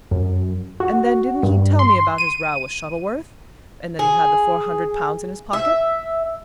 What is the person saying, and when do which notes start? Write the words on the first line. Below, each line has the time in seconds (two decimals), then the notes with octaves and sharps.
And then, didn't he tell me about his row with Shuttleworth, and that he had the four hundred pounds in his pocket.
0.11 F#2
0.80 F#4
1.43 G2
1.79 C6
2.18 D#7
3.99 G#4
5.53 E5